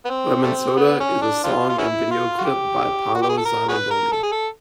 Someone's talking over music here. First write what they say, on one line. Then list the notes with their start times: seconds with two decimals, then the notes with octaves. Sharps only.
Lemonsoda is a song and a video clip by Paolo Zanaboni.
0.05 B3
0.09 C4
0.43 G3 A3 C4
0.77 B3
1.00 C#4
1.21 D4
1.44 C4 D4 F4
1.69 F4
1.78 B3 C#4 E4
2.11 F4
2.38 F#4
2.45 G4
3.15 F#4
3.22 G4
3.29 G#4
3.38 A4
3.45 A#4
3.69 F#4 G#4 B4
3.91 A#4
4.13 A4
4.23 G#4
4.32 A4